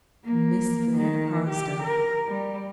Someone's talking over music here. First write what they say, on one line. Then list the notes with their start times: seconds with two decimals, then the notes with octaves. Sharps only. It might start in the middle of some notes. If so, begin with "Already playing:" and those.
"Miss Van Arsdale!"
0.25 A#3
0.97 D#3
1.49 G4
1.83 A#4
2.27 G3